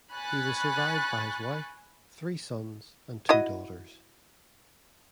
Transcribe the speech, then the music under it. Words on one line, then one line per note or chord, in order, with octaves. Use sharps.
He was survived by his wife, three sons, and two daughters.
G#5 B5 C#6 F#6 A6
E4 F#4 D#5